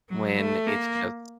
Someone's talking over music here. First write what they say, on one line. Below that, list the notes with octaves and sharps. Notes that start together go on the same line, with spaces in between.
when it's just
F#3
A3
A#3